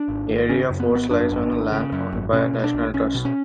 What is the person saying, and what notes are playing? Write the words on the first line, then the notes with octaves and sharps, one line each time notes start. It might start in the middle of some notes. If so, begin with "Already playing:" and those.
Aira Force lies on land owned by the National Trust.
Already playing: D4
G#1
G#1
C#3 C#4
F#2
B3
G#1 B3
F#2 D4
G#1
G#1
C#3
F#2
G#1
B2 C#4
B2
D4
B1
B1 C#4
B2
C#4